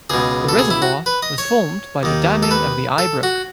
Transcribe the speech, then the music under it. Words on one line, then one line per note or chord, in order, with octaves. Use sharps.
The reservoir was formed by the damming of the Eye Brook.
C#2 B2 G#4
A4
G#4
E4
F#4
B4
D#5
C#5
D#2 D#3
A4
B4
A4
F#4